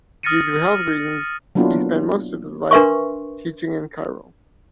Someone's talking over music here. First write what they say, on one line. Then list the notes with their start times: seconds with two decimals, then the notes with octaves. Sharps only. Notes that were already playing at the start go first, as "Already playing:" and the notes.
Due to health reasons, he spent most of his life teaching in Cairo.
0.23 D#6 F6 A6 A#6 C#7 D#7
1.55 F#3 A#3 B3 D4 E4 F4
2.71 D4 A#4 B4 E5 C6 C#6